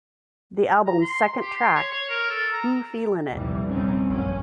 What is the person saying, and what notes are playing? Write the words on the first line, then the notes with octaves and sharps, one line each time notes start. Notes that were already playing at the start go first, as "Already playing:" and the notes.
The albums second track, Who Feelin' It?
A#5
C6
G4
C6
C#5
C#5
A#4
A4
A#5
F1 A#1 D#2 A#2 E3 G3
F1 D#2 G3 C4 C#4
A1 F#2 F3 C#4